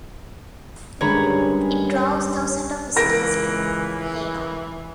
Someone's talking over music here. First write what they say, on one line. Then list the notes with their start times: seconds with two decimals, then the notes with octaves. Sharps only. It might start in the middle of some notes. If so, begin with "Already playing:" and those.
It draws thousands of visitors to Heino.
1.01 G2 D3 D#3 G#3 C#4 C#5 A#5 B5
2.96 C#2 E3 A#4 A#6 D7